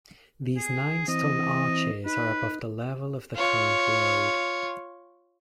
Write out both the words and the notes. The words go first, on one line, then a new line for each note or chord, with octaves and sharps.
These nine stone arches are above the level of the current road.
G#4
E3 C4 D#5
D#4 B4
F4 C#5